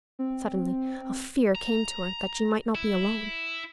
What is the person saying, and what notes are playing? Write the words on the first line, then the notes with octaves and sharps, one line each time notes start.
Suddenly a fear came to her that she might not be alone.
C4
A#5
E4